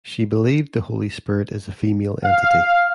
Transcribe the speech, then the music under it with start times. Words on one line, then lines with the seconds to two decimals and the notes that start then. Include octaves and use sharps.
She believed the Holy Spirit is a female entity.
2.25 F5